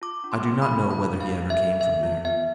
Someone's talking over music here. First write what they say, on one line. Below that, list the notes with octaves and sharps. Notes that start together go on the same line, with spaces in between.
I do not know whether he ever came from there.
F4 D6
D4
C6
A3
B5
A4
F4 B5
D4
F5
A3
E5
A4
A4 E5
F4
B3 E5